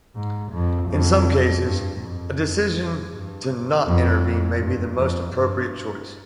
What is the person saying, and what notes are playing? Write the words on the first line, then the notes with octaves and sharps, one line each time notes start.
In some cases, a decision to not intervene may be the most appropriate choice.
G#2
F2
F2
G2
F2
G2
F2
G2
F2
G2